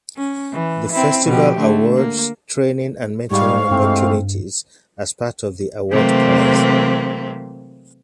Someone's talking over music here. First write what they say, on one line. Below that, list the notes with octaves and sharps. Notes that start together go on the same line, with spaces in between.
The festival awards training and mentoring opportunities as part of the award prize.
C#4
E3
C4 E4
B2 F3 G4
D3 A3
A#3
G#2 G3 F5 C#6
C2 G2 A3 C4
C3 E3 F#3 A3 A#3 C4